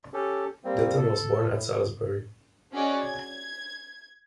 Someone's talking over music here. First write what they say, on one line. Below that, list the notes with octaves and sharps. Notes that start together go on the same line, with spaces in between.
Ditton was born at Salisbury.
C#4 G4 A4
G3 A#3 C4
A4
A2
C#4 F#4 G#4 D5 D#5
G#6